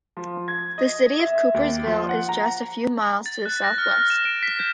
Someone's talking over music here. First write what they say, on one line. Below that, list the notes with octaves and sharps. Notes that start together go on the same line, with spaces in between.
The city of Coopersville is just a few miles to the southwest.
F3
G#6
D#5
E5
E5
D#2
F3
F#5
A#5
A6
F#6
A#6
F6
F6
E7
D7
B6
G6